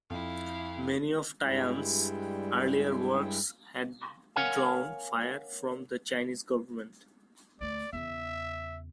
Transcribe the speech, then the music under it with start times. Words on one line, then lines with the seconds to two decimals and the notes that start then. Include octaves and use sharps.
Many of Tian's earlier works had drawn fire from the Chinese government.
0.10 F2 E4 F5
1.45 G2 G3 G#3 E4 G5
4.36 A#4 C#5 F5 F#5 G#5
7.61 D2 A3 D5
7.93 E2 C#3 E5